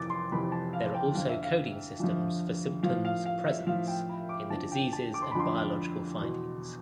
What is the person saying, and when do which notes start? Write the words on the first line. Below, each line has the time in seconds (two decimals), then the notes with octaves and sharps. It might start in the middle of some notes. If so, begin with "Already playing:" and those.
There are also coding systems for symptoms presents in the diseases and biological findings.
Already playing: F2 C3 E3 D6 A6
0.10 C6
0.32 F2 C3 E3 B5
0.52 A5
0.73 F5
0.94 G5
1.15 F2 D3 F3 F5
1.29 E5
1.42 F5
2.00 F2 D3 F3
2.83 A2 F3 F5
3.05 F5
3.26 F5
3.46 E5
3.67 A2 F3 F5
3.88 G5
4.09 B5
4.29 D6
4.50 F2 D3 F3 A5
4.72 G5
4.93 A5
5.14 D6
5.22 C6
5.31 B5
5.35 F2 D3 F3 C6
6.19 E2 B2